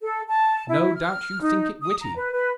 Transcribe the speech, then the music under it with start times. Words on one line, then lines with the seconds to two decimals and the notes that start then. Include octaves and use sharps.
No doubt you think it witty!
0.02 A4
0.28 A5
0.68 E4
0.96 F6
1.42 D#4
1.82 D#6
2.01 A#5
2.17 B4
2.32 B4